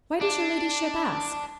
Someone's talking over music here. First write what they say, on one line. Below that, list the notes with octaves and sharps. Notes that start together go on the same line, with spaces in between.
"Why does your ladyship ask?"
D4